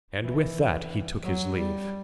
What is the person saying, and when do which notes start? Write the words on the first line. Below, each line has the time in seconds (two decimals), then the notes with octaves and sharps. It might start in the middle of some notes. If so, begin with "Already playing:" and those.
And with that he took his leave.
0.22 E3
1.24 F#3
1.58 G3